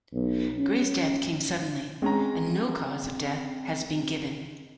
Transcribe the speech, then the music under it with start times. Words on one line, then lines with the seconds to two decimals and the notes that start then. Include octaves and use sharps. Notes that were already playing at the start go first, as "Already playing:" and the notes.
Gray's death came suddenly and no cause of death has been given.
0.13 B1
0.58 C#4
2.02 G#3 C4 C#4 A#5